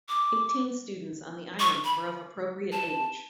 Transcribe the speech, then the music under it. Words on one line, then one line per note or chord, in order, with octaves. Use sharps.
Eighteen students on the island were of appropriate age.
D6
C#6
B5
A5